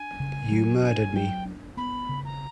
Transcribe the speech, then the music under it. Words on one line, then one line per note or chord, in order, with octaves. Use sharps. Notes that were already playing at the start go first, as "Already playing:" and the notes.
You murdered me.
Already playing: D4 G#5
C#3
F#3
D4 G#5
F#3 G5
D4
B3 B5
C#3
A#5